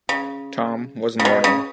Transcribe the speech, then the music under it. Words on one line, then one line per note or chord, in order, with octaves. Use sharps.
Tom was mourning.
C#3
C#3
B2
C#3